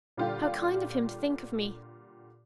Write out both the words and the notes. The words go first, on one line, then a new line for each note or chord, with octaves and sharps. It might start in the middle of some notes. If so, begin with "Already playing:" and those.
'How kind of him to think of me!
A#2 D3 G3 F4 G4